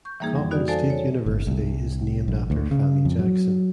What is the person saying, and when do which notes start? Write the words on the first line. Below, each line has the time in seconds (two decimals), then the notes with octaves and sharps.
Coppin State University is named after Fannie Jackson.
0.05 C#6 G6
0.20 E3 G3 A#3 D#4 G#4
0.34 F2 G3
0.51 B3 D#4 F#4 G4 D5
0.68 A4 C5 D5 F5 G#5 A5
0.90 C#5
1.26 G1
1.47 C2
2.28 A#1
2.50 D2
2.71 C#3
3.05 F2
3.19 F#3